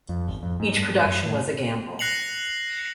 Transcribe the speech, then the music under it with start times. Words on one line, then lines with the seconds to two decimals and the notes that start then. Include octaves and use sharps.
Each production was a gamble.
0.09 F2
0.28 G#1
0.43 F2
0.60 G#2
0.76 G2
0.94 G#2
1.05 F#2
1.26 A2
1.99 F#6 A#6 C7 C#7 F7 F#7